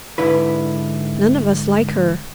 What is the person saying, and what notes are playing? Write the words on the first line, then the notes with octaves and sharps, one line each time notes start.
"None of us like her."
G#2 D3 E4 B4